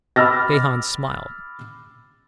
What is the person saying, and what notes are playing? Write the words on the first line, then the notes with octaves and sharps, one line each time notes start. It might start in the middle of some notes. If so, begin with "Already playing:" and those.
Gahan smiled.
B5 D6 E6 F6 A6 A#6